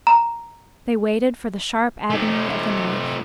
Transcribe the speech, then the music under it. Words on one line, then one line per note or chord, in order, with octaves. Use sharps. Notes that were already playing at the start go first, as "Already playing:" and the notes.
They waited for the sharp agony of the knife.
A#5
A3 D#4